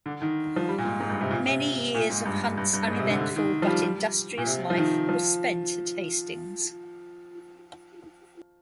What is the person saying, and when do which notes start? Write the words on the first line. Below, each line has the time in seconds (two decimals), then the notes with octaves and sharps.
Many years of Hunt's uneventful but industrious life were spent at Hastings.
0.06 D3
0.22 D#3
0.56 F3
0.68 G3
0.78 A#2
0.85 G#2
1.00 G#2
1.10 G2
1.21 C3
1.31 A#2
1.47 C3
1.94 A#2
2.10 G#2
2.25 G2
2.57 G2
2.73 G2
2.88 G#2
2.99 C3
3.10 D3
3.21 D3
3.36 D#3
3.62 F3
3.67 G3
4.38 A#2
4.46 C3
4.70 F3
4.78 D#3
5.09 F3